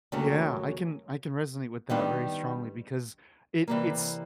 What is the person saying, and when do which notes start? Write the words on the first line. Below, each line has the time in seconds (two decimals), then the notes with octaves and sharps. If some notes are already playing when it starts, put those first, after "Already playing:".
Yeah, I can I can resonate with that very strongly because it it's
0.12 D#2 C#3 F#3 A3 C#4
1.90 D#3 G3 B3 D4
3.68 C3 E3 G3 A#3